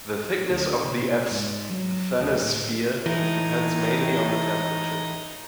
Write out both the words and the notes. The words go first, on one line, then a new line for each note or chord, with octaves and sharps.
The thickness of the asthenosphere depends mainly on the temperature.
D2
C3
G#2
F#3
D2
A2
A2 E3 D#4